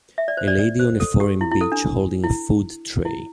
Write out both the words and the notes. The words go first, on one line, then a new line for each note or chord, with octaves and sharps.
A lady on a foreign beach holding a food tray.
E5
D5
C5
D5
D5
C5
A4
G4
E4
E4
A4
D4
E4
E4